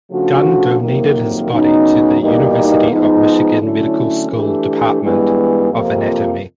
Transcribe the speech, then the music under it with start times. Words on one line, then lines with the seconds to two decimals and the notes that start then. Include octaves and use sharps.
Dunn donated his body to the University of Michigan Medical School Department of Anatomy.
0.10 C#3 F3 A3 D4 F#4
0.80 F2 C3 D#3 F#3 A#3
1.50 C#3 F#3 B3 D#4
2.21 E2 B2 G3 A#3 D#4
2.90 F3 G#3 B3 D#4
3.61 D3 F#3 A3 C#4 E4
4.31 E3 A3 D4 G4
5.00 G2 E3 G#3 B3
5.71 F2 C3 F3 A#3